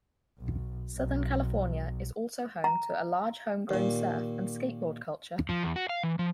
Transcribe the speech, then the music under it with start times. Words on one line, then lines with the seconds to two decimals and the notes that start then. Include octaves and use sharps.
Southern California is also home to a large homegrown surf and skateboard culture.
0.38 B1
0.96 B1
2.64 A#5
3.69 D#2 A#2
5.49 F3
5.63 E2
5.76 F#4
5.89 F5
6.03 E3
6.19 F3